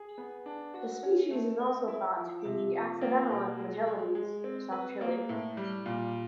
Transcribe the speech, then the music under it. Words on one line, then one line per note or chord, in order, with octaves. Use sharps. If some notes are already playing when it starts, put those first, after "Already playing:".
The species is also thought to be accidental in Magallanes, south Chile.
Already playing: G#4
B3
D4
F#4
C#4
A3
C4
E4
F3
C3
F3
A#3
B2
G#3
G#3
G#3
C4
B4
A#3
A2
G3
A#2